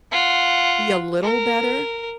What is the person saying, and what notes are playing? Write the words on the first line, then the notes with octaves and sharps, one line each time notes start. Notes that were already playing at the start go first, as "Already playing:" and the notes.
be a little better
F4 F#5
A#4